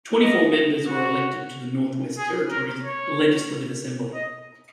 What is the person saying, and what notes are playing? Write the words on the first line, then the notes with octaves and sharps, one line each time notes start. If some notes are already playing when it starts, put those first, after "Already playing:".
Twenty four members were elected to the Northwest Territories Legislative Assembly.
D#5
F#4
G#4
A#4
C#5
D#5